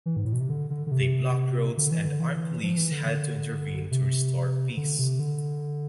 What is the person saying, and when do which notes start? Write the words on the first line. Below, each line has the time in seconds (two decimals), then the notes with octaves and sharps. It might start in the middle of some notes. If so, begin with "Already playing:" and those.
They blocked roads and armed police had to intervene to restore peace.
0.06 E3
0.17 G#2
0.25 A2
0.33 B2
0.40 C3
0.49 D3
0.70 D3
0.87 D3
0.91 C3
1.77 D3
1.91 E3
2.05 D3
2.20 E3
2.63 F3
2.77 E3
2.92 D3
3.05 D3
3.91 C3
4.77 D3
4.99 C3
5.20 D3